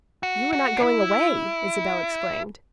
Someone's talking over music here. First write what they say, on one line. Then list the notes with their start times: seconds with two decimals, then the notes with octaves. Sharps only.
"You're not going away!" Isabel exclaimed.
0.23 F#4
0.53 F#4
0.76 D4
0.82 E4